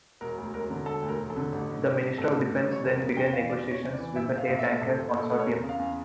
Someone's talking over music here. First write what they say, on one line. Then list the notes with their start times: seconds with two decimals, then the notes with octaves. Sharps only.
The Ministry of Defence then began negotiations with the AirTanker consortium.
0.21 E1 A#4
0.38 D2
0.54 E1 A#4
0.70 D3
0.86 E1 A4
1.03 D2
1.08 A#4
1.20 E1
1.30 A4
1.36 D3
1.52 A1
1.69 A2
1.85 A1
2.02 G3
2.18 A1 A4
2.35 A2
2.52 A1
2.68 G3 C#5
2.83 E2 A#4
3.00 C#3 A#4
3.17 E2 G5
3.33 E3 F5
3.49 E2 D5
3.66 C#3
3.71 C#5
3.83 E2
3.93 D5
3.98 E3
4.16 A#1 E5
4.31 A#2
4.38 F5
4.49 A#1
4.59 E5
4.64 A3
4.81 A#1 A4
4.98 A#2
5.14 A#1 A4
5.31 A3
5.39 C#5
5.47 E2 A#4
5.64 C#3
5.69 F5
5.79 E2